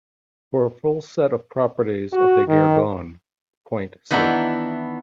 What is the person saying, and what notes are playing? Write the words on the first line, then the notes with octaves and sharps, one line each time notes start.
For a full set of properties of the Gergonne point see.
F#4
D#3
D#3 E3 B3 D4 E4 A#5